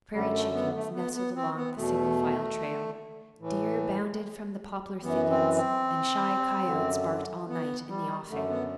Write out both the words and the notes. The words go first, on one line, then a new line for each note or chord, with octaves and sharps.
Prairie chickens nestled along the single-file trail. Deer bounded from the poplar thickets and shy coyotes barked all night in the offing.
F#2 D3 G3
A3
B3
A3
B3
B3
C4
B3
E2 B2 A3
A2 E3
F#2 E3 B3
C4
C4
F#2 D3
B3
G3
F#2 D3 A3
B3